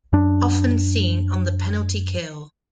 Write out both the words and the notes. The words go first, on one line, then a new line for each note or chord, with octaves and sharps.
Often seen on the penalty kill.
F#2 D4